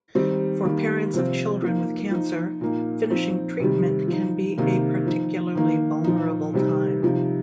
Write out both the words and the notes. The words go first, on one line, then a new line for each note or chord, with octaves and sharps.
For parents of children with cancer, finishing treatment can be a particularly vulnerable time.
D#3 G3 C4 D#4
D#3 G3 A#3
C3 F3 C4
F3 A#3 D#4
F3 D#4
A#2 A#3 D#4
F3 C4 D#4
C3 D#3 G3
F3 D#4
C3 D#3 A#3 D#4
F3 D#4
D#3 A#3 D#4
A#2 F3 D#4
C3 G3 C4 D#4
C3 F3 D#4